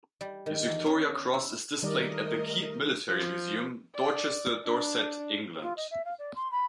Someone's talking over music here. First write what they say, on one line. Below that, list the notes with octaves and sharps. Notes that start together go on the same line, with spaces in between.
His Victoria Cross is displayed at The Keep Military Museum, Dorchester, Dorset, England.
G3
D#3
E2
C#4
E4
D#3 G3 A3 A#4 D5 D#5
F3
D5
D4
F4
D#5
E5
F5
D5
C6
B5